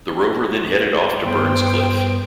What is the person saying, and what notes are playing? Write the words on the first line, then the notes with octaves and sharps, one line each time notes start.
The rover then headed off to Burns Cliff.
G2 B3 C5 G5 C6